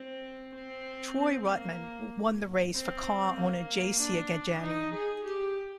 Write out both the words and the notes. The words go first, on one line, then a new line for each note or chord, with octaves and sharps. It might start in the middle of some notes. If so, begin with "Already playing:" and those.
Troy Ruttman won the race for car owner J. C. Agajanian.
Already playing: C4
C4
C4
A#3
C4
A#3
D4
D#4
G#4
G4